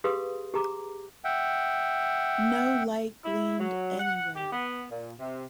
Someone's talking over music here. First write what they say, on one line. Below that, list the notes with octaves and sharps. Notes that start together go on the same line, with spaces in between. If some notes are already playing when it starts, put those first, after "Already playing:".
No light gleamed anywhere.
G4 G#4 B4 F5 C6 D#6
G4 G#4 A#5 D6
E5 F#5 G5
E4
F#3
F#5
G4
B3
A#2
C3